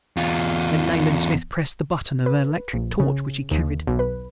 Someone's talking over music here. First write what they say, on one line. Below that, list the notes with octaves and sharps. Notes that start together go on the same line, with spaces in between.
Then Nayland Smith pressed the button of an electric torch which he carried.
E2 F4
B4
A#1
C#3
D#2
B1
B4